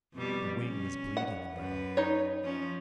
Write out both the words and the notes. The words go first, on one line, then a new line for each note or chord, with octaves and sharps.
The wing was bleeding a little.
F2 B2 G3
C#4
F#5
F#2 B4
D#4 C#5
F3 C#4